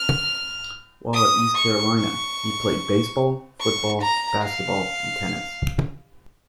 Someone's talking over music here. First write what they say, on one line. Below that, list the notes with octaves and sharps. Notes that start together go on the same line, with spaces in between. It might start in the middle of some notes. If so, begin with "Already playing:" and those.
While at East Carolina, he played baseball, football, basketball, and tennis.
Already playing: F6
D#6
C#6
C#6
C#6
A#5
F5